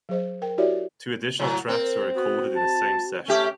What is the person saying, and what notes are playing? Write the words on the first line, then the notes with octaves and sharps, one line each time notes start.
Two additional tracks were recorded in the same session.
F#3 G#4 C5 D#5
A#4 G5
E4 F#4 G4 C#5 D5 E5
A2 F#3
C4 A#4
B3 F#4
A5
A3 C#4 G4 E5